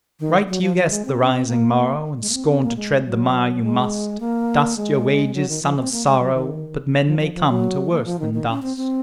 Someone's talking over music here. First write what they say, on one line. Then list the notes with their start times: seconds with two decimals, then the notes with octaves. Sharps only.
Right you guessed the rising morrow And scorned to tread the mire you must: Dust's your wages, son of sorrow, But men may come to worse than dust.
0.20 D#3
0.48 F#3
0.62 F3
0.77 F3
0.90 G#3
1.05 C4
1.20 C#4
1.33 C4
1.48 A#3
2.19 G#3
2.29 A#3
2.34 C4
2.47 C4
2.62 A#3
2.76 G#3
3.05 F#3
3.62 G#3
4.20 A#3
4.77 G#3
5.34 F#3
5.49 D#3
5.62 F3
5.77 C4
5.92 A#3
6.06 G#3
6.19 F#3
6.33 D#3
7.06 F3
7.19 F3
7.34 F3
7.48 F#3
7.91 A#3
8.05 F3
8.19 D#3
8.34 D#3
8.49 C#4
8.62 C4
8.77 C4